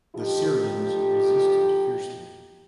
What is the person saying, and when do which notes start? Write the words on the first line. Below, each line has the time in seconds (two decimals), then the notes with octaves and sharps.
The Syrians resisted fiercely.
0.16 D3 F3 D#4 G4